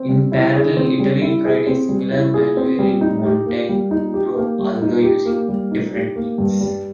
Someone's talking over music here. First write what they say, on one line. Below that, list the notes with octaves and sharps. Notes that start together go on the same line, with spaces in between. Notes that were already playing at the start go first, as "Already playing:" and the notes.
In parallel, Italy tried a similar maneuver in Montenegro, although using different means.
Already playing: C4
G3
E4
G#4
C4
G3
E4
G#4
C4
G3
E4
G#4
C4
G3
D#4
G4
A#3
G3
D#4
G4
A#3
G3
D#4
G4
A#3
G3
D#4
G4
A#3
G2
G3